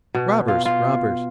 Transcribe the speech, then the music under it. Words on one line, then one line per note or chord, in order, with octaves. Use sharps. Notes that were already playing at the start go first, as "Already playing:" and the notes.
Robbers! robbers!'
B2
F4
F4